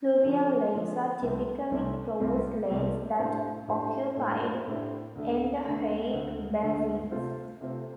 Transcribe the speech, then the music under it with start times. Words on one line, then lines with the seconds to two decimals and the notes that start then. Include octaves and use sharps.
Pluvial lakes are typically closed lakes that occupied endorheic basins.
0.23 D3 F3 D4 A4
0.73 D3 F3 D4 A4
1.22 C2 C3 A3 C4
1.71 C2 C3 A3 C4
2.20 C2 C3 A3 C4
2.70 C2 C3 A3 C4
3.19 A2 A3 D4 G4 C5
3.67 A2 A3 D4 G4 C5
4.17 A2 A3 D4 G4 C5
4.67 A2 A3 D4 G4 C5
5.15 D2 D3 A3
5.64 D2 D3 A3
6.13 D2 D3 A3
6.62 D2 D3 A3
7.11 C3 A3 F4 C5
7.61 C3 A3 F4 C5